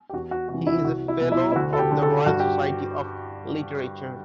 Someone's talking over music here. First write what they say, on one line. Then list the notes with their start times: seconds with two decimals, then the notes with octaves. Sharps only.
He is a Fellow of the Royal Society of Literature.
0.09 G4
0.13 E2 F#4
0.31 F#4
0.49 C3 E3 F#4
0.67 E4
0.84 C2 F#4
1.08 E4
1.20 B2
1.32 E4
1.52 E4
1.56 D2 F#4
1.73 A4
1.79 G4
1.91 D3
2.03 A4
2.26 G2 F#4
2.40 G4